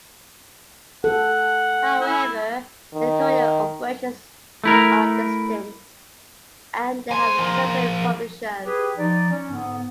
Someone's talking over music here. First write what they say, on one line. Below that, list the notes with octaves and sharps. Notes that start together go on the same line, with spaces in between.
However, their editorial operations are distinct and they have separate publishers.
A4 F#5
E4
D#3
A3 E4 A#4
D2 C5 G#5
F3 A#4
G4 G#4 B4
F3 D#4 D5
C#4
G#2 D3 B3